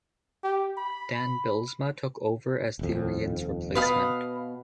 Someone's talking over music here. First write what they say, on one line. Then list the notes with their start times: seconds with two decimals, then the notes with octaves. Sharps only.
Dan Bylsma took over as Therrien's replacement.
0.43 G4
0.78 B5
2.79 D#1 F2
3.75 B2 B4 F5 D#6